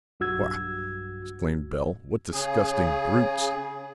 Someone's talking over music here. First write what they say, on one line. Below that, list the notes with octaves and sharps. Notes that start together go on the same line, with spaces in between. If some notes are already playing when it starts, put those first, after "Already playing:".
"Faugh!" exclaimed Bell, "what disgusting brutes!"
B1 G2 F#4 E6 G#6
C#3 G#4